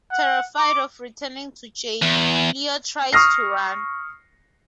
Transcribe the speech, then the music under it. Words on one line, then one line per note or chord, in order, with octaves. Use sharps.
Terrified of returning to jail, Leo tries to run.
F#5
D6
E2
C#6 D#6 F6 A#6 C7